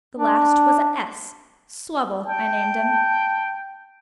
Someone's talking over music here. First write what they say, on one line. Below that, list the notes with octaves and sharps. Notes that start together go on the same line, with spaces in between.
The last was a S,--Swubble, I named him.
D4
G5 A5